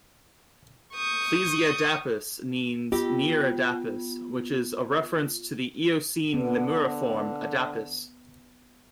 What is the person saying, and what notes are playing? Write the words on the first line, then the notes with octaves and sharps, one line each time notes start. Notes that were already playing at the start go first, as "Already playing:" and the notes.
"Plesiadapis" means "near-Adapis", which is a reference to the Eocene lemuriform, "Adapis".
C#6 D#6 G6
B3 F4 G4
D3 B3